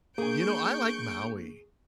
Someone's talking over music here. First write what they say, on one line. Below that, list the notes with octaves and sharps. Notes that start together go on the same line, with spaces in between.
You know, I like Maui.
A#3 D4 G#4 G#5 C#6 G6 D7